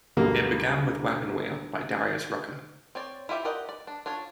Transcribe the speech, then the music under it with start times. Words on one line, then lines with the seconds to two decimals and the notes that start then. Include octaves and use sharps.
It began with "Wagon Wheel" by Darius Rucker.
0.17 D2 G2 B2 G3 G#3 A#3
2.95 C4 C#5 D5
3.29 E4 F4 G4 E5
3.45 G4 A#4 D5 D#5 F#5
3.69 D5
3.87 D4
4.06 D4 F4 C#5